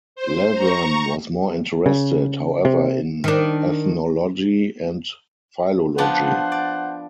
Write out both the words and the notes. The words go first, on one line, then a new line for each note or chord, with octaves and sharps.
Latham was more interested, however, in ethnology and philology.
C5
A#5 C#6
C#3
C3
D#3 D4
F3 B3 D4 C5 F#5
D5